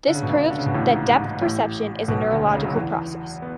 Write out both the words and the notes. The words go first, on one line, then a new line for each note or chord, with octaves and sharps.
This proved that depth perception is a neurological process.
D3
C#3
B2
C#2 C#3
D3
C#3
B2
A1 A2
G#2
G#2
G#2
A1 A2
B1 B2
D2 D3
C#2 C#3
F#3
E2 E3
B3